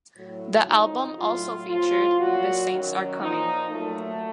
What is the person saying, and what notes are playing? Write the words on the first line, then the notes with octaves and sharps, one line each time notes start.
The album also featured "The Saints are Coming".
A2 F#3
F2 C#3 F3 D#4
A2 F#3 F4
A2 F3 F4
A#2 F#3 F#4
F#2 D#3 F#3
A#2 F3 D#4
A#2 F#3 A3